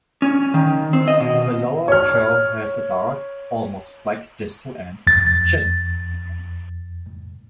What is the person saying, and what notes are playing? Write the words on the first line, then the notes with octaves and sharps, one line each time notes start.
The lower jaw has a dark, almost black distal end, "chin".
C#4
D#3
C4
D#5
B2
C#5 F6
F2 A6